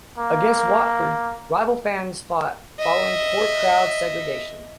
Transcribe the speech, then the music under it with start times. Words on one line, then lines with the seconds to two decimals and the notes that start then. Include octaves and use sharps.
Against Watford, rival fans fought following poor crowd segregation.
0.18 A#3
2.80 D#5 E5